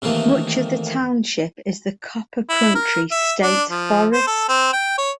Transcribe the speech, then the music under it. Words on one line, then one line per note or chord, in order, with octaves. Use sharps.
Much of the township is the Copper Country State Forest.
C3 D#3 E3 A3 A#3
E4
A#4
E5
D4
F3
C5
A4
C4
G5
C#5